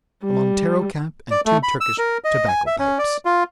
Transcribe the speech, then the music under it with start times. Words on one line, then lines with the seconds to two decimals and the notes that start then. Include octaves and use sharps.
A Montero-cap and two Turkish tobacco-pipes.
0.23 G3
1.31 D5
1.46 A3
1.63 B5
1.81 E6
1.98 A#4
2.24 D#5
2.48 G#5
2.67 E5
2.79 C#4
2.99 D5
3.25 F4